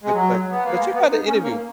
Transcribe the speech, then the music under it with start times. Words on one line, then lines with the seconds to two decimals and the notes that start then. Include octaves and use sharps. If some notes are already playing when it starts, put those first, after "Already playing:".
But but but check out the interview.
0.03 G#3
0.13 F#3
0.50 B3
0.64 A#3
0.78 G#3
0.94 B3
1.10 D#4
1.26 C#4
1.42 A#3